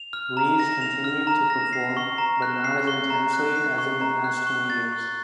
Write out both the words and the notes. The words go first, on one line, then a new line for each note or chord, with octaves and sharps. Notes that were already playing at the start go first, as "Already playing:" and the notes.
Reeves continued to perform, but not as intensely as in the past twenty years.
Already playing: F7
F6
A#5
A#6
F7
F6
A#5
A#6
C7
C#6
A#5
F#6
C7
C#6
A#5
F#6
C7
C#6
A#5
F#6
C#6
A6
C#6